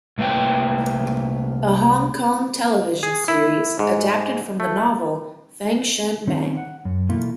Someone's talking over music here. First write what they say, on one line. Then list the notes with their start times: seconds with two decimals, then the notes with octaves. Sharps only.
A Hong Kong television series, adapted from the novel Fengshen Bang.
0.18 C2 A3 A#3 B4 G5
3.03 G#4
3.28 E4
3.79 G#2
4.60 A3
6.27 D#3 C4 C#4 D#4
6.57 F#5
6.85 F#2
7.09 B2 E3 A3 A#3 E4 F4